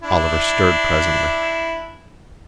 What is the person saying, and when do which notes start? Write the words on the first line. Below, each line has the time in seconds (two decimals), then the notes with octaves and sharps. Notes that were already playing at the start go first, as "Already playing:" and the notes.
Oliver stirred presently.
0.03 D4 E4